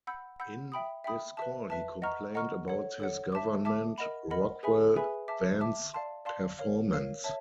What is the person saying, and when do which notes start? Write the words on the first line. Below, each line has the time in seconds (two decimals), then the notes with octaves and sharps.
In this call he complained about his government Rockwell "van's" performance.
0.07 F#5 B5 E6 G6
0.40 F#5 B5 E6 G6
0.72 E5 G5 B5 D#6
1.04 E5 G5 B5 D#6
1.37 B4 E5 A5
1.70 B4 E5 A5
2.02 D#5 F#5 A#5 C#6 F6
2.35 D#5 F#5 A#5 C#6 F6
2.68 A4 C#5 F#5
3.00 A4 C#5 F#5
3.32 E5 A5 D6
3.65 E5 A5 D6
3.98 A#4 D#5 F#5 B5
4.31 A#4 D#5 F#5 B5
4.63 G#4 B4 E5 G#5 B5
4.95 G#4 B4 E5 G#5 B5
5.28 E5 A5 D6
5.61 E5 A5 D6
5.94 D5 F5 A5 C6
6.25 D5 F5 A5 C6
6.59 A#4 C#5 F5
6.91 A#4 C#5 F5
7.24 C#5 E5 A5